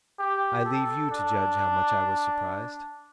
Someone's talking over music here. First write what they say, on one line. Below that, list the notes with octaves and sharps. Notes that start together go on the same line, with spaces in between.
I leave you to judge how much I was surprised.
G4
A4
D4